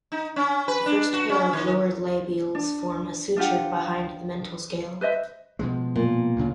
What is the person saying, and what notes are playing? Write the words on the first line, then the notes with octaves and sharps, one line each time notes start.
The first pair of lower labials form a suture behind the mental scale.
D#4
C#4
B4
D4
F#4
C#4
D#3
D4
D4 F4 G4 F#5
B4 C5 D#5 E5
B2 F3 G#3
A#2
D2 C#3